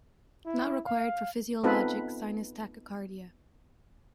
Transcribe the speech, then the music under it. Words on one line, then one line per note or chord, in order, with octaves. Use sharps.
Not required for physiologic sinus tachycardia.
E4
F5
B3 C4 D#4 F4 A4 B4